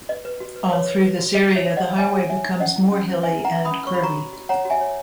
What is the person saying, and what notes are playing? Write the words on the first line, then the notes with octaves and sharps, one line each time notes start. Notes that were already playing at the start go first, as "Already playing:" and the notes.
All through this area, the highway becomes more hilly and curvy.
B4 D#5
B4
F#4
B4
B4 C#5
B4
B4
F#4
A#4 D#5
D#4 C#5 E5
D#4
D#5 F#5
D#4
C#5 E5 G#5
C#5
C#5 E5 G#5
D#4
C#4 D#5 F#5
E4
C#4
C#4
B4 E5 G#5
E4
F#5 A#5
B4
B5 D#6
C#4
C#5 C#6
B5
F#4 A#5 C#6
F#4
F#4
C#5 F#5 A#5
F#4
E5 G#5
C#5